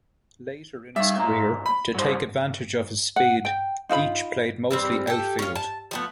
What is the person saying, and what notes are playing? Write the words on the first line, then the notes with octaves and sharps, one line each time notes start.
Later in his career, to take advantage of his speed, Leach played mostly outfield.
G3 E5 F5
B1 A#3 A#5
B5
F#3 G3 C5
F#5
G5
D#4 F4 D#5 B5
E3 G3 C4
G4 A4
C#4 F4
A5
F3 A3 B3